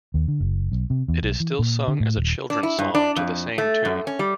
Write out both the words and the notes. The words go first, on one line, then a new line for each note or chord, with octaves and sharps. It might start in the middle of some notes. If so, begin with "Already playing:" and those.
It is still sung as a children's song to the same tune.
D#2
D3
F#1
B1
C3
E2
B1
E3
A#2
D3
A2
D#1
D4
E4
G2
D4
F2
A3
F#2
C#4
G3